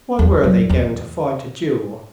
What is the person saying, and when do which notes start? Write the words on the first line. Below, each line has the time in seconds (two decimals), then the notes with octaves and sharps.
Why were they going to fight a duel?
0.19 E2
0.44 F#2
0.69 E2